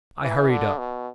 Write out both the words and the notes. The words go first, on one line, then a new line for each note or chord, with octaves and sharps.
I hurried up.
E3
D3
B2